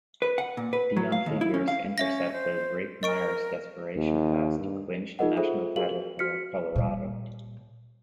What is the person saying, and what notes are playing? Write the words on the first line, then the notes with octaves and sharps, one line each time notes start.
Deon Figures intercepted Rick Mirer's desperation pass to clinch the national title for Colorado.
B4
F#5
A#2
B4
F#3
F5
D#2
E4
C#4
F5
C#4 C#5 E5 A#6
C5
A#4 D#5 C#6 D7
D#2
G2
D#4 F4 G#4 A#4 D#5 F#5
F4 G#4 A4 C5 E5
F#4 G#4 A#4 F5 F#7
F#4 F6 B6 C#7
A#2 G3